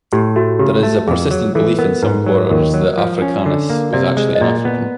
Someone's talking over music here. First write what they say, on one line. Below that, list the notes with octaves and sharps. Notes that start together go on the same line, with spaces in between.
There is a persistent belief in some quarters that Africanus was actually an African.
A2 G4
A3 F#4
C#3 G4
A3
F2 G#4
F#3
E3 A4
B3 A#4
G#2 B4
F#3
D#2 A#4
F#3
F3
C#4
D3
A#3
C3 D5
G#3
D#5
A#2 D5
B3